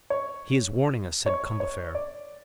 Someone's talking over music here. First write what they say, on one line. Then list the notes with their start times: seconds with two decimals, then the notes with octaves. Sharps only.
"He is warning us," said Combeferre.
0.10 C#5
1.26 C#5
1.60 C#5
1.95 D5